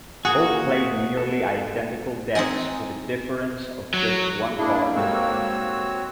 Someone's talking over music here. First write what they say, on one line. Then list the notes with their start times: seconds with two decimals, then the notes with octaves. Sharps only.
Both played nearly identical decks with a difference of just one card.
0.25 A#3 F#4 G#4 F#5
1.17 A4
2.35 C4 D#4 F#5 G#5
3.94 F#3
4.58 A#3 D4 E4 G#4
4.96 G#2 G3 C4 F#4 A4 C#5 E6